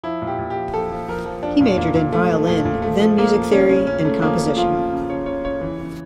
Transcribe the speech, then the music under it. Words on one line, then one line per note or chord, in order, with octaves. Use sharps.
He majored in violin, then music theory, and composition.
F3 E4
A#2
G4
A#2
G4
F3
F3 A4
F3
F3 A#4
F3
F3 D4
A#2
A#2 A#3
A#2
F3 A3
F3
A#2 A3
A#2
F3 A3
F3
F3 A#3
F3
C#3 C#4
C#3 C#4
C#3 C#4
C#3 A3
F3 A#3
C#3
F3 F4
C#3
C#3
C#3 C#5
C#3 C#5
C#3 C#5
E3
C#3